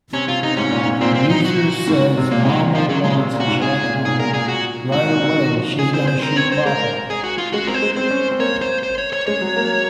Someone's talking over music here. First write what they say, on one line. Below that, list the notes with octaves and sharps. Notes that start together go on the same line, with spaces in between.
Wheezer says Mama wants Jack home right away; she's gonna shoot Papa!
C3 C#4
C3 F4
C3 D#4
G#2 C#4
A#2
A#2
G#2
A#2 C4
C4
D#4
F#4
G#2
C3
A#2 A#3
G#2 G#3
F#3
A#2
C3 F3
C#3 F#3
A#2 G#3
C3
A#2
F#4
G#2
G#2 G#4
A#2
G#2 G#4
A#2 A#4
A#2 G#4
F#4
G#2 F#4
A#2
C3
D#3
F3
G#3 G#4
C4 C5
C4 C5
C4 A#4
C4 C#5
C4 C5
G#3 A#4
G#4
F#4
F4
G#3 F#4
C4 A#4
C5
G#3
C4 C5
C#4
C4
A#3 C#5
C5
C5
C#5
C#5
G#3 C#5
F#3
A#3